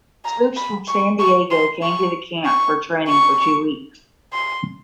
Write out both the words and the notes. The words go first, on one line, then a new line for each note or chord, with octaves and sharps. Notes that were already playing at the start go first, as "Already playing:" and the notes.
Troops from San Diego came to the camp for training for two weeks.
A#5
B5
C#6
C#6
C6
C#6
C#6
C#6
C6